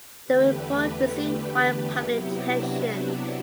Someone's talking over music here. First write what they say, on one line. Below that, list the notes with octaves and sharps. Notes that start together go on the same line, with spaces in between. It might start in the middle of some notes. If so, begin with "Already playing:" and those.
The Report received wide public attention.
E2 D3 A3 G4 B4
C3 F#3 B3 E4 G4
D4 F#4
E4